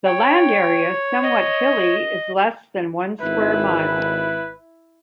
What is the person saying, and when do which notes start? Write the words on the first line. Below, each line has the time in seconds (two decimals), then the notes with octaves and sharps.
The land area, somewhat hilly, is less than one square mile.
0.05 C#5 G5
1.23 D#5
3.22 G#1 E4 B4